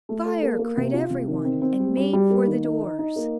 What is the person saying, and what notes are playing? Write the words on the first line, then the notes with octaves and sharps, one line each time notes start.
'Fire!' cried every one, and made for the doors.
A3
A4
A#3
A#3
C3
F4
C3
D#3
C4
C4
G3
G3
G3
A#3
D#3
D#4
D#4
D#4
A#3